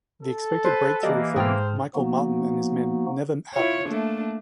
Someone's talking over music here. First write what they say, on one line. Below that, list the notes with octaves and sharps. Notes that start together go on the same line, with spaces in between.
The expected breakthrough from Michael Martin and his men never happened.
A4
B4 C5
E3 A#3 G4 D5 D#5
G#2 G#4 A4 C5 G5 F6
F3 A#3 B3 D#4 F#4
E4 F4 C#5
A3 A#3 D4